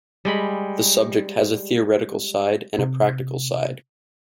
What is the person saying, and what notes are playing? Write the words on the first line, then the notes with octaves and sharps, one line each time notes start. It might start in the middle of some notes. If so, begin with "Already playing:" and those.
The subject has a theoretical side and a practical side.
G3 G#3 B5
C3